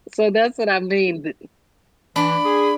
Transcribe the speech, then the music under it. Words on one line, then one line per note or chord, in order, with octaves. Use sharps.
So that's what I mean the
E3 D4 B5
G#4